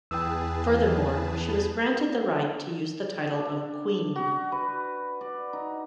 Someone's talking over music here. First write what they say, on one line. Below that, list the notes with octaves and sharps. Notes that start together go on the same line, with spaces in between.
Furthermore, she was granted the right to use the title of queen.
E2 G#4 B4 G5 A5 D#6 E6
D4
F#4
B4
D5
D#4